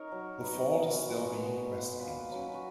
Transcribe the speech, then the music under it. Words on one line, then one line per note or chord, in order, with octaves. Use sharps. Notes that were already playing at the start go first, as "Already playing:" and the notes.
The fault is still being investigated.
Already playing: D#4 A#4 C#5
F#3
B3 D#4
B2
G#3 B3
B2
G#3 B3
A#2 B4
B4
F#3 A#3 C#4
B4
F#4